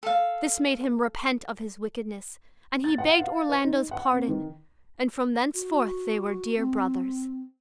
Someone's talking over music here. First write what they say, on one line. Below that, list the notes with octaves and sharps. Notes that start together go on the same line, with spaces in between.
This made him repent of his wickedness, and he begged Orlando's pardon, and from thenceforth they were dear brothers.
A4 F5
A6
F#5
F5
C5
D#4
F#5
C4
D#3
F#4
C4